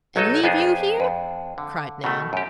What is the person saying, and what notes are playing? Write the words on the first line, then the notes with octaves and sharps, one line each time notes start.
"And leave you here?" cried Nan.
B1 F#3 D#4 A4 D#5
F2 B3 D4 G#4 C5
F2
D3
B2 D#3 A3
F#2 G4